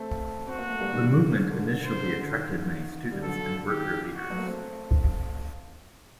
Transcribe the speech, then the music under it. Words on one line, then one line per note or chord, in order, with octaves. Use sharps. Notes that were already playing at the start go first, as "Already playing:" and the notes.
The movement initially attracted many students and worker leaders.
Already playing: A3 C4
C4 F#4
A#3
A3
G3 A#3
D#3 G3
D#3
D3
D3
D#3
D3
C5
D3
D#3
G3
D3 F#3 A4
D#3 G4
D#3
F#4
F#3 A3
A#3
A3 C4